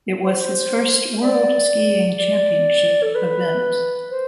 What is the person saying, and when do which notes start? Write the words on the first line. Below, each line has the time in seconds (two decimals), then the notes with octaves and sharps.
It was his first World Skiing Championship event.
0.25 C5
1.21 D5
2.19 D5
3.03 A4
3.15 B4
4.11 C5